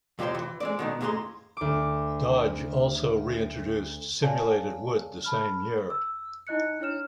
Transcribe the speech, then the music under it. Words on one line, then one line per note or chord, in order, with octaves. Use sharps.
Dodge also reintroduced simulated wood the same year.
F2 C3 G4 C5 C#5 C6
E3
G#3 C4 D5
B2 D#3 B3
D#2 A2 G#4 G#5 A#5 C6
D2 D6
C#5 D5 F5 G#5 A5
A5 B5 F6
E6
D#4 E4 D#5 F#6 C#7
D4 E4 C#5 F6 E7